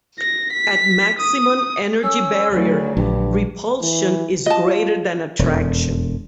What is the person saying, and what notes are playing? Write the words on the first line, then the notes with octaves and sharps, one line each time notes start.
At maximum energy barrier, repulsion is greater than attraction.
A#6
B6
D#6
C#4 E6
D2 C#3 F#3 D5
A#1 G2 G4
E3
F4 D#5 A5
E1 F2